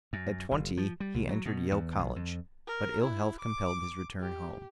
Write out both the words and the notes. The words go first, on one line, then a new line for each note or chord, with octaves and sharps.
At twenty he entered Yale College, but ill-health compelled his return home.
F#2
F#1
F3
G3
C2
F#3
B2
E2
B1
F2
A#4
E4
D6
G4